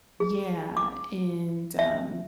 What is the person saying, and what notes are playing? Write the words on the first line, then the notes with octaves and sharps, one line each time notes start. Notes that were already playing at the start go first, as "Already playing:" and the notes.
yeah, and, um,
G#4
D6
E5